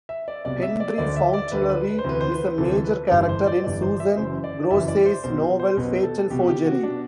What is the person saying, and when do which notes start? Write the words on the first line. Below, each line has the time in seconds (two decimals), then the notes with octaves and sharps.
Henry Fauntleroy is a major character in Susan Grossey's novel "Fatal Forgery".
0.09 E5
0.28 D5
0.45 C2 B2 D5
0.63 E5
0.80 D5
0.98 D2 D3 D5
1.16 E5
1.34 D5
1.51 D2 D3 B4
1.70 B4
1.87 B4
1.99 C5
2.04 D2 C3 E3 B4
2.21 C5
2.32 B4
2.58 D2 C3 E3 A4
2.84 B4
3.05 B4
3.11 G1 G2 E3 C5
3.29 C5
3.47 D5
3.64 G1 G2 E3 D5
3.83 C5
4.00 E5
4.17 F#1 F#2 E3 C5
4.44 D5
4.71 F#1 F#2 E3 E5
4.88 D5
5.06 C5
5.24 B1 B2 C5
5.59 C5
5.77 B1 B2 B4
6.03 A4
6.30 C2 B2 G4
6.47 G4
6.66 F#4
6.83 B2 D4